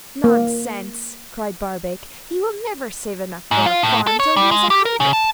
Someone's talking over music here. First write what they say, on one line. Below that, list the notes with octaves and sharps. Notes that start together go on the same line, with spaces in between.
'Nonsense,' cried Barbaik, 'he will never save enough for a farm till he is a hundred.
A#3
G#2
F4
A2
A4
C#5
G3
G#3
G4
A#4
C#3
A5